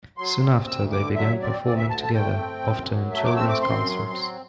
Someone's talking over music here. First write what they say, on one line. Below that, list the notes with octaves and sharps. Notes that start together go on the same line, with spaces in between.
Soon after, they began performing together, often in children's concerts.
F#3 C6
C4
D2 E6
D3 D6
F#3 E5
C4 D5
D2 D5
E5
D3 A5
A5
A3 G5
C4
F#2
F#3
A3 E5
D6
C4 E6
D6
F#2 C6
F#3
C4